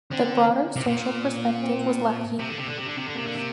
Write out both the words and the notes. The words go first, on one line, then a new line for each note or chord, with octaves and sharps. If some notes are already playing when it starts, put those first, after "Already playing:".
The broader social perspective was lacking.
D3 C4
C3
A#2
C4
C3
D3
C3
D3
C3
D3
C3
D3
C3 A#3
D3
C3